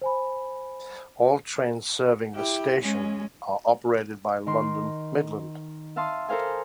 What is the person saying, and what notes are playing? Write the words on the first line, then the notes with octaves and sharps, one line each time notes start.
All trains serving the station are operated by London Midland.
C5 G#5 B5
E4 G4
G#3 C#4
D#3 C6
E5 F5 A5 C6 D#6
A4 A#4 C5 F5 G#5